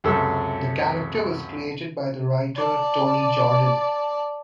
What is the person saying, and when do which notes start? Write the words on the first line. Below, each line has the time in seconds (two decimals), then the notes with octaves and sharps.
The character was created by the writer, Tony Jordan.
0.04 C#2 F#2 C3 A4 E6
2.55 D5 A5